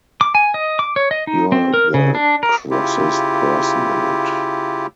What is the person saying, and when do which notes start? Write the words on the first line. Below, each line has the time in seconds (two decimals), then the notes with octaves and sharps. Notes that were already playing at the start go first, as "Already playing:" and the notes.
You're the crossest person in it!
0.21 D6
0.35 G#5
0.54 D#5
0.79 D6
0.96 C#5
1.11 D#5
1.27 D#4
1.52 C4
1.74 A#4
1.94 C#3
2.15 D4
2.43 A#4
2.71 C#3 E4 F4 G4